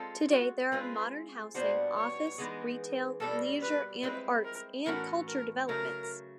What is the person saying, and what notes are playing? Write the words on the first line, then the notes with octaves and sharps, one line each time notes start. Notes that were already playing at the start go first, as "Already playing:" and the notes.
Today there are modern housing, office, retail, leisure and arts and culture developments.
Already playing: G#3 C4 F4 A4
F#4
G#3 C4 F4 G#4 B4
A#2 G3 B3 D4 F#4 C5
C#5
E3 G#3 B3 D#4 G#4
B2 G3 A#3 A4
B4
G#3 C4 E4 B4
A#4
A2 E3 A3 C#4 F#4 A#4
A#4
C#3 F#3 A3 A#4